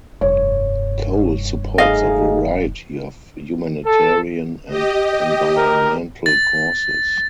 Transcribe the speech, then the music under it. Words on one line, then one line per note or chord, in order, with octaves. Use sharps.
Cole supports a variety of humanitarian and environmental causes.
F1 G2 C#5
A3 D#4 G#4 D#5 F5
A4
G4 D#5
A#4
A6